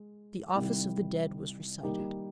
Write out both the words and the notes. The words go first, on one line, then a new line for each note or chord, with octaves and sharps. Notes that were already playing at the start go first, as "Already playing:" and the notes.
The Office of the Dead was recited.
Already playing: G#3
C2 C3 D#3 G3
D#3 G3 A#3 D#4 G4